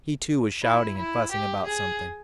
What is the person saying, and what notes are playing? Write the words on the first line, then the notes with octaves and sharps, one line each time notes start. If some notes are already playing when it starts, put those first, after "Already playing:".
He, too, was shouting and fussing about something.
E4
E4
G4
G#4